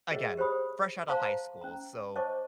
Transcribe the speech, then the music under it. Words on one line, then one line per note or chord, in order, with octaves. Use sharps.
again, fresh out of high school. So,
F#4 G#4 A#4 C#5 D#5 E5
G4 C5 C#5 B5 D#6
C5 F5 A5 A#5 C6
C#4 A#5
C5 C#5 D#5 A5 C#6 D6